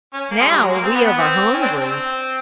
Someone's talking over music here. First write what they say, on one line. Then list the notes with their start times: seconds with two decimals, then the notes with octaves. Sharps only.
"Now we of are hungry."
0.14 C#4
0.31 A#3
0.40 G#3
0.48 G3
0.57 F#3
0.66 G#3
0.74 A#3
0.83 C4
0.95 B3
1.06 B3
1.19 C4
1.53 C#4
1.62 C4 D4
1.79 C4